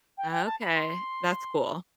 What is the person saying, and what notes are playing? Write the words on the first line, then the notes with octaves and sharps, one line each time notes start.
Okay. That's cool.
G5
G5
A5
B5
C6